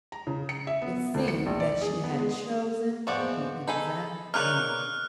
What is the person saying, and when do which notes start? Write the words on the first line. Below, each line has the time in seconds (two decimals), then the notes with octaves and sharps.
It seemed that she had chosen the exact moment.
0.12 A#5
0.27 C#3
0.49 C#7
0.67 E5
0.82 B3
1.14 D2
1.28 C#7
1.46 A#1
1.60 D5
1.81 G#4
2.04 B3
2.19 G#3
3.07 E2 G#2 F3 F#4 D5 F#5
3.68 D#4 G#4 A4 B5
4.34 A#3 D#4 G#4 B4 C#5 D5 F6 F#6